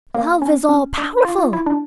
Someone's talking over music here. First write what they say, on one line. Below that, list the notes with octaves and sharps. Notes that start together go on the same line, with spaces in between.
Love is all-powerful.
A#3
C#4
C#4
D4
F4
F4
E4
D4